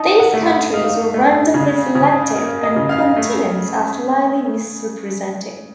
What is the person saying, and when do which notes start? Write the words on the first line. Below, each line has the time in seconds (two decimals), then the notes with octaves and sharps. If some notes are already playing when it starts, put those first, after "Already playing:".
These countries were randomly selected, and continents are slightly misrepresented.
Already playing: D#4 A5
0.20 F#5
0.33 A3
0.47 F#5
0.74 D#4 F5
1.14 A3
1.54 C#3
1.95 C#3
2.36 A#3
2.63 D#5
2.76 C#3
2.89 F5
3.16 A3